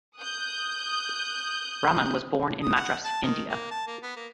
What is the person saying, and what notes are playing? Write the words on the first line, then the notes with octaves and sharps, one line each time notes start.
Rahman was born in Madras, India.
D#6 F#6 G6
D#6
F#5
A5
D#3
A#3
A5
A#3
B3
A#3